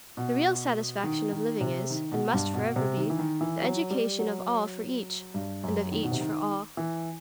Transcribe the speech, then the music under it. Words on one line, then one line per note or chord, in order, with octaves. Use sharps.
The real satisfaction of living is, and must forever be, the education of all for each, and of each for all.
B2
D#3
D#3
C3
D#3
B2
G2
B2
C3
D#3
E3
D#3
E3
F#3
G3
F#3
G2
F#2
D#3
B2
C3
D#3
E3